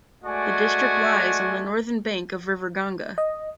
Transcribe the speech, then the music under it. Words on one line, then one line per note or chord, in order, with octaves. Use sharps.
The district lies on the northern bank of river Ganga.
G#3 A3 F#4 D5 G#5
D#5